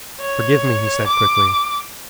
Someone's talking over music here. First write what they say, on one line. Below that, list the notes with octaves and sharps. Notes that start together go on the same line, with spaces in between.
"Forgive me," he said quickly.
C#5
D6